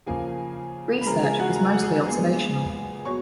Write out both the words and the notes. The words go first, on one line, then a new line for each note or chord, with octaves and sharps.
Research was mostly observational.
C#3 F3 A#3 G#4 G#5
B5
C#3 F3 G#3 A#4 A#5
G#4 G#5
F#4 F#5
A#5
G#5
F#5
G#4 G#5
A#2 G#3 B3
B2 F#3 C#5 C#6